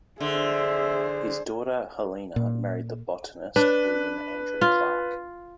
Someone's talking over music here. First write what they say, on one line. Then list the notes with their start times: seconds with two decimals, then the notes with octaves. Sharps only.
His daughter Helena married the botanist William Andrew Clark.
0.20 D3 G#4 C5 E5
2.36 A#2
3.56 D4 B4
4.61 F4